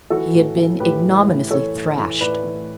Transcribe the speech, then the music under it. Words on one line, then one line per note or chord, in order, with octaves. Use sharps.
He had been ignominiously thrashed!
E3 F#4 A4
A2
E3
A2 G4 B4
E3
A2
E3 A4 C#5
A2
E3
A2 B4 D5
E3